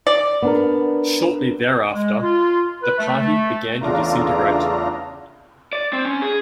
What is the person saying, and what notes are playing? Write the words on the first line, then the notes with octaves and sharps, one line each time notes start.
Shortly thereafter the party began to disintegrate.
D5
B3 D4 A#4
G#3
F4
B4
A3
A3
E2 C#3 A3 D4 F4 A#5
D5
C4
C#4
G#4